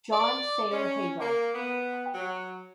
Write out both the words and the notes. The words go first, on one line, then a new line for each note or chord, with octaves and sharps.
John Sayer Haygarth.
D5
C#4
A#3
B3
F#3